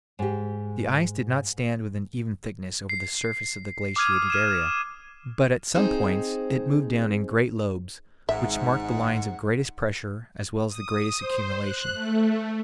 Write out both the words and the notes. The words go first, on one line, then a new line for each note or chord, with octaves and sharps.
The ice did not stand with an even thickness over the surface of the glaciated area, but at some points it moved down in great lobes, which marked the lines of greatest pressure as well as the greatest accumulation.
G#2 G4
C7
D6 D#6 F6 G#6 D#7
F6 D#7 E7
C4 D#4 G#4 C5
G#1 G#2 E5 F#5
D#6
C5
F#6
A3